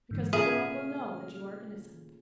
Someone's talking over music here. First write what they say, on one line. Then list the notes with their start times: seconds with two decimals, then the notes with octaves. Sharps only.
"Because the world will know that you are innocent."
0.11 G#2 D3 E3
0.33 A#2 C#3 A3 G#4 E5 A5 F6